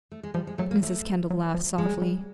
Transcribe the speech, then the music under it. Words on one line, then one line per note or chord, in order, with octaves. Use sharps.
Mrs. Kendall laughed softly.
A3
G#3
F3 G3
G#3
F#3 A3
A#3
A3
F#3
F3
G#3
G3
F#3
G3